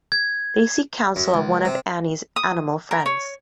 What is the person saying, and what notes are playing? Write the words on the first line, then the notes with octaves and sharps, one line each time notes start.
They seek counsel of one of Annie's animal friends.
G#6
F#2
C#2
C3
D#6
A#4
C#5